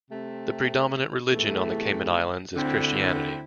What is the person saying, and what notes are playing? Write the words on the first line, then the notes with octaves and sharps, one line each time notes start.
The predominant religion on the Cayman Islands is Christianity.
C3 A3 C4
E2 C3 E3 A3
D2 D3 C4 E4